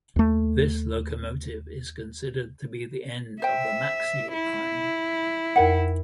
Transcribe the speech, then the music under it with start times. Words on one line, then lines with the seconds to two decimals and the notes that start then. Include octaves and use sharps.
This locomotive is considered to be the end of the Maxi line.
0.16 D#2 A3
3.42 C5 E5 G5
4.33 E4
5.56 F2 A#4 F#5 G5